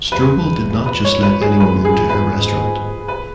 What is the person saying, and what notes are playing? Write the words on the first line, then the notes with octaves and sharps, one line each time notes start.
Strobel did not let just anyone into her restaurant.
E2 B4
B4
C#5
B4
G#4
F#2 B4
G#4
E2
B4
G#2
B4